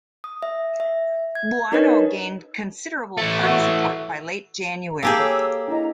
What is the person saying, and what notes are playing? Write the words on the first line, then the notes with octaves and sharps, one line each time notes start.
Buono gained considerable party support by late January.
D#6
E5
E5
G#6
D4 D#4 A#4 B4 C#5 D#5
E3 A3
F#4 E5
A#3 G4 G#4 F5 G#5 A5 E6
A4 C#5
D4 E4 D#5 A#5